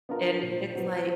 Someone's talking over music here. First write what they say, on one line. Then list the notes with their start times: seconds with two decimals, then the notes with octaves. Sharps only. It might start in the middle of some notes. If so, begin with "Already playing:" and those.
and it's, like,
0.09 B3 D4 F4 A#4
0.42 A#2 C5
0.75 F#3 B3